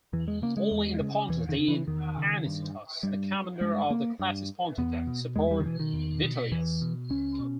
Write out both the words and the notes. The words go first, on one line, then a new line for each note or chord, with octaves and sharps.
Only in the Pontus did Anicetus, the commander of the "Classis Pontica", support Vitellius.
E2 E3
G#3
C#3 A#3
G#3
E2
C#3
E2 E3
D#3
C#3
E3
E2 D#3
C#3
G2
G2 G3
G2 G#3
A#3
G2
E2 B3
B2
E2 G#3
G3
D#3
B2 E3
D#3
E2
B2
E2 E3
B2
C#2 C#4
B2